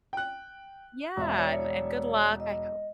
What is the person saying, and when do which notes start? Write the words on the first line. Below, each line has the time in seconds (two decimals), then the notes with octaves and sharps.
Yeah, and and good luck, I hope
0.13 G5 F#6
1.16 E1 E5
1.37 C#5 D5
2.40 D#5